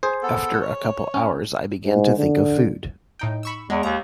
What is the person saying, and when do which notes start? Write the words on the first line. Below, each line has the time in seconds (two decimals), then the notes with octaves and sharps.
After a couple of hours I began to think of food.
0.03 G#4 C5
0.23 B3 A4
0.62 C#5
1.14 C#4
1.85 G#2
2.17 D3
3.19 A2 D#4 G5
3.43 B5 C#6 E6
3.70 E2 G#3
3.83 D#2 A#5